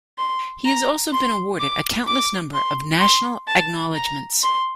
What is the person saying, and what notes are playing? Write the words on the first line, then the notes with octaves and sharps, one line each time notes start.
He has also been awarded a countless number of national acknowledgements.
C6
A#5
C6
D6
D6
C6
C6
A5
A#5
C6